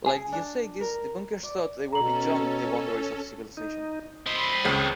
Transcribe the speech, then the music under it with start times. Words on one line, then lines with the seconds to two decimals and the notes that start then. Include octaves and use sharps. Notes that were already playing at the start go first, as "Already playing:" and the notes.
Like the Osages, the Bunkers thought they were beyond the boundaries of civilization.
0.06 G#4
0.32 D4
0.81 A#4
1.43 D5
1.93 B2 C#4 A4 A#5 F#7
3.57 D#4
4.27 C4 D#5 B5 C6
4.64 C#2 C#3